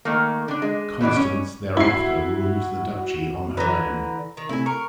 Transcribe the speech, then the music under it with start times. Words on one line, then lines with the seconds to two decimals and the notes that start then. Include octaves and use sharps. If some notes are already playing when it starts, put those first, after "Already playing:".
Constance thereafter ruled the Duchy on her own.
0.05 D#3 A3 A#3
0.48 D3 D4
0.62 G#3
1.01 B2 E3 G#3 D5
1.16 C#4
1.77 E4 F#4 C7
3.57 D3 E3 B4 A#5
4.37 D#3
4.49 C3 A3 E4 G#5
4.66 A#4 C#6